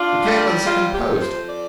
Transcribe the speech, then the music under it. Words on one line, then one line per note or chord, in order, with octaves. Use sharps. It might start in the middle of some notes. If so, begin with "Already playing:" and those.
It came by the second post.
Already playing: D4 F4
G3
C3 F4
G4
F2
C5
D5